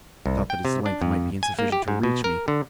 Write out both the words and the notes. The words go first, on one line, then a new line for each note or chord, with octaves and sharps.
I thought that its length might be insufficient to reach me.
C2
G5
C3
D4
F2
G#5
A#3
G4
G#2
B2
A#4
D3